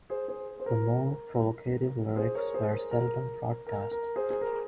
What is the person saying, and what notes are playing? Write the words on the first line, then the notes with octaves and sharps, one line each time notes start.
The more provocative lyrics were seldom broadcast.
G#4 C5
G#4 C5
C5
A#4
G#4 C5
A#4 C#5
G#4 C5
A#4
A#4
A#4
A#4
G#4 C5
G#4
A#4